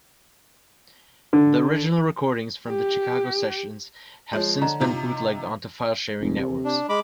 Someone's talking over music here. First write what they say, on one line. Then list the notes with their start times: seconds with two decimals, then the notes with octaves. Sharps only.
The original recordings from the Chicago sessions have since been bootlegged onto filesharing networks.
1.33 D3
2.68 G4
4.33 F3 G#3 C#5
4.62 D3 D4 D#5 A#5
4.80 C3 D#4 F4
6.21 F1
6.39 C3
6.65 D4
6.89 G#3 B5 D6